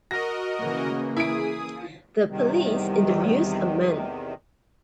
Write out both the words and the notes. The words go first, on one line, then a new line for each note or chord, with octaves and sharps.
The police interviews a man.
F#4 A#4 D#5 A#6
C#3 E3 A#3
E4 G#4 D#6 D7
E2 C3 D#3 G3